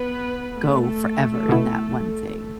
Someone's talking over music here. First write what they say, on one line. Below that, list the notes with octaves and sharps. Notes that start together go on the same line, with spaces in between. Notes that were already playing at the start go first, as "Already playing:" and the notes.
go forever in that one thing,
Already playing: B3 B4
A3 A4
B2 B3 E4